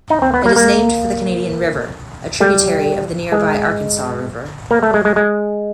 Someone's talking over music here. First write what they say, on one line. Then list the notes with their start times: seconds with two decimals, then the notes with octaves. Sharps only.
It is named for the Canadian River, a tributary of the nearby Arkansas River.
0.10 D#4
0.22 C4
0.34 B3
0.46 A#3
0.56 A#3
2.40 G3
3.32 G#3
4.71 A#3
4.83 A3
4.94 G#3
5.05 G#3
5.16 G#3